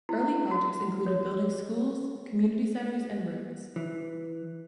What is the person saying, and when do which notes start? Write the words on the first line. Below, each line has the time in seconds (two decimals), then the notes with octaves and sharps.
Early projects included building schools, community centers, and roads.
0.09 E4
0.51 F#4
1.06 C#5
3.76 E3